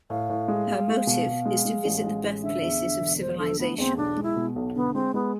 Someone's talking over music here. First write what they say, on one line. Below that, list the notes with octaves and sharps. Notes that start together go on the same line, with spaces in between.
Her motive is to visit the birthplaces of civilisation.
A2 F5
A2
G#3
G#3
G#3
B2
B2
G#3
G#3
A1
G#3
A1
D3 E5
E2
D3
E1
E1 C5
D3 A4
A3 B3
E2 C4
B1 D4
G#3
E4
B2
B1
D3 B3
G#3 C4
G#3 B3